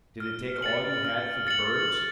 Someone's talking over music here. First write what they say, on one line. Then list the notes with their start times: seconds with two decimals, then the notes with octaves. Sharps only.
"Did it take all you had for the birds?"
0.20 F6
0.62 A6 C#7 F#7
1.05 F6
1.47 A6 C#7 F#7
1.88 F6